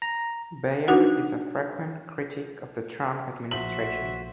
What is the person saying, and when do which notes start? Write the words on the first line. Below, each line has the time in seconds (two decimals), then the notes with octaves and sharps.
Beyer is a frequent critic of the Trump administration.
0.02 A#5
0.88 D4 D#4 F#4 F#5
3.51 A#1 F#4 C5 E5 F#7